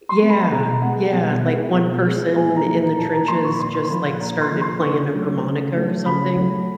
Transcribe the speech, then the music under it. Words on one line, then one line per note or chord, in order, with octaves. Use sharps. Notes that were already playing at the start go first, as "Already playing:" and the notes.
Yeah. Yeah, like, one person in the trenches just, like, started playing a harmonica or something,
C6
G#3 B3
B5
B2 A#5
G#3 B3 F#5
B2 G5
G#3 B3
B2
G#3 B3
A#2 G#5
A#5
F3 A#3
A#5
A#2 A5
A#5
F3 A#3 C6
C#6
B5
A#2 C6
C6
C6
F3 A#3 B5
F5
A#2 A#5
C6
F3 A#3
C6
C#3 C#6
F#3 A3
C#3
F#3 A3
C#3 B5
F#3 A3